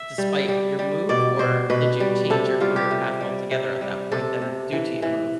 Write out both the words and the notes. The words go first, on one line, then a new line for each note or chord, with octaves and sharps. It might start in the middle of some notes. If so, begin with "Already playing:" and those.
despite your move, or did you change your career path altogether at that point then due to your move?
Already playing: E5
G3
G3
G3
B2 D5
B2 C5
B2 B4
G3
C3 A4
G3 F4
G4
C3
G3
C3
G3
C3 A4
C3
E3
E3